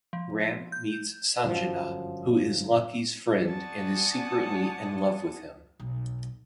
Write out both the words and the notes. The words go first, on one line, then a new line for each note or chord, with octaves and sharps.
Ram meets Sanjana, who is Lucky's friend and is secretly in love with him.
F3
G6
G1 F#2 A#2 F3
D5 F#5 G#5 A5 C#6 D#6
B1